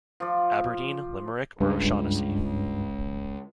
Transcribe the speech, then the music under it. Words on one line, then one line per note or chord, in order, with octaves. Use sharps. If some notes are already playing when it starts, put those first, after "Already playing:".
Aberdeen, Limerick or O'Shaughnessy.
F3 D5
C#2 G2